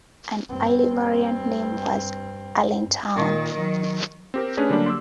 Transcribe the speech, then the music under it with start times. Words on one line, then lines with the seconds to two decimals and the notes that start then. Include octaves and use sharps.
An early variant name was Allentown.
0.50 G2 C4
3.15 A#2 D#3
3.53 D#3 F#3
4.34 C4 G4 A#4
4.57 A3 C#4 D4 G#4 B4
4.70 D3 F#3 G3 A#3 D4
4.86 C6 D6 E6